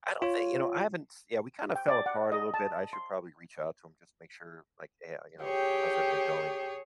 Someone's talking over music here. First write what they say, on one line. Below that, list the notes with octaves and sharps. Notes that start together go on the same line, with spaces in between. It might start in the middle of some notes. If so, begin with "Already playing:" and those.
I don't thi you know, I haven't Yeah, we kinda fell apart a little bit, I should probably reach out to him just to make sure, like, "Hey, uh, you know, how's everything going?"
F4 C#5
G5
D5
F#5
D#5
A5
C6
G4 G#4 C#5 G5